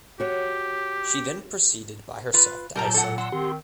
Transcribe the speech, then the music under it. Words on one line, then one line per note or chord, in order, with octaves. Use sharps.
She then proceeded by herself to Iceland.
F#4 G4 C#5
F4 B4
A#2 F#3 G3 A#4 A5 A#5 G6
A4 F#5
F#5 C6 E6
D#3 C4 G4 C6